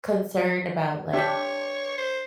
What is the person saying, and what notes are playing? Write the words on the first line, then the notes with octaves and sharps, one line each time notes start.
concerned about, like,
D4 G4 C#5 E5
C5